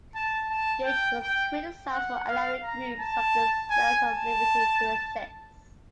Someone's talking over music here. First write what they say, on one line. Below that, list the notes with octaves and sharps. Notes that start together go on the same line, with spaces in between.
Gage was criticised for allowing groups like the Sons of Liberty to exist.
A5
A5
G5
G5
F#5
F5
A#5
A5
G#5
A5